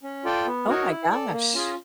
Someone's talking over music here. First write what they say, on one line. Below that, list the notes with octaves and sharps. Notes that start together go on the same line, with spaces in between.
Oh my gosh.
C#4
F4 A4 D5 G5
B3
D#4 F#4 A#4 C#5
E4
A4 D5
A#3
C#4 F4 G#4